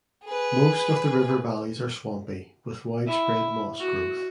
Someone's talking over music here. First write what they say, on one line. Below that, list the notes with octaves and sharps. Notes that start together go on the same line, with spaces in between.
Most of the river valleys are swampy with widespread moss growth.
G#4 B4
E4
F#4